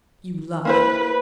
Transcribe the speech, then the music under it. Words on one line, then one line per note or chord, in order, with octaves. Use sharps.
"You lie!"
A#3 E4 B4 C5